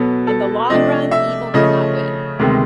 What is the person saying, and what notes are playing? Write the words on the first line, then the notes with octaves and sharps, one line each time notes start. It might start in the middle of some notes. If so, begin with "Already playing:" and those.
in the long run, evil cannot win.
Already playing: B2 F#3 B3 A4
A4
C3 F3 A3 D4 D#5
E5
C#3 F3 A3 C#4 D#5
D2 C3 D#3 G#3 B3